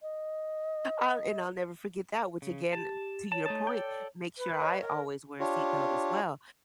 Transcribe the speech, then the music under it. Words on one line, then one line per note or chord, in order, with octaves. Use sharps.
I'll and I'll never forget that, which again, to your point, make sure I always wear a seat belt, as well.
D#5
C#3
G4 A5
C#5 A5
A3 D#4 A5
A4 D5 G5
B4
C#5 D#5
A#4
D4 F4 G4 C#5